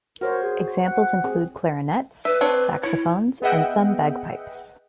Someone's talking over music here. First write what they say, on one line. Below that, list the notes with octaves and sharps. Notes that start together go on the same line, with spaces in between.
Examples include clarinets, saxophones, and some bagpipes.
F#4 A#4 C5 C#5
G#4
F#5
C4 G#4
B4 E5
C4 D4 C#5
E4 C#5
B3 G#4 D#5 E5 F#5 G5